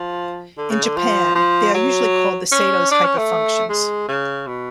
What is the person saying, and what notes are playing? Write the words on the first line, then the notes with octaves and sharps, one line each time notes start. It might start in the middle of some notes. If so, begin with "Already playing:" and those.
In Japan, they are usually called the Sato's hyperfunctions.
Already playing: F3
D3
C#3
D3
F3
F3
F#3
C#4
D4
C#4
A3
G#3
C#3
B2